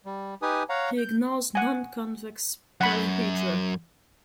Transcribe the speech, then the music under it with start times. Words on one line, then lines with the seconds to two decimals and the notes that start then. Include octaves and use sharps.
He ignores nonconvex polyhedra.
0.06 G3
0.42 D#4 G4 B4 G#5 D#6
0.69 C#5 F5 F#5 A#5
0.98 G6
1.55 F#5 G#5
2.81 F#2 F#5 B5